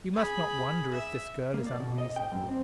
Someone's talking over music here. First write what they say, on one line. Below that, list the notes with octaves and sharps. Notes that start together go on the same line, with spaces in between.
You must not wonder if this girl is unreasonable.
G#4 B5
E5
A#3
D5
B2
D#5
G5
F#2
C4